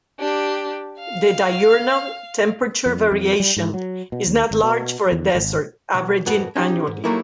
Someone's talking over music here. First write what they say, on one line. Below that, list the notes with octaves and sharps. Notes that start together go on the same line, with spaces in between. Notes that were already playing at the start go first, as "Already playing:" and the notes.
The diurnal temperature variation is not large for a desert, averaging annually.
D4 G4
F5
F2
F2
G3
G#2
F#3
B2
D#2
G#1
B2
E2
G#1
B1
F2 G#2 F#4 A4 B4
C#4 D#4 G4
G#2
F#3 G3 A3 A#3 D#4 E4